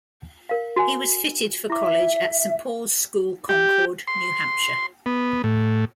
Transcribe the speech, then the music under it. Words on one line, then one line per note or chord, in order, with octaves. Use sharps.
He was fitted for college at Saint Paul's School, Concord, New Hampshire.
A#4 F5
F#4 G#5
E4 E5 D6
G4
C6
B3
A2